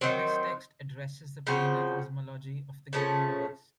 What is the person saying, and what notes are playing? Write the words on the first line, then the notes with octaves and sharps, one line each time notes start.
This text addresses the planar cosmology of the game universe.
D#3 F#3 C4
C#3 F3 C4 F#4
C#3 F3 A3 C#4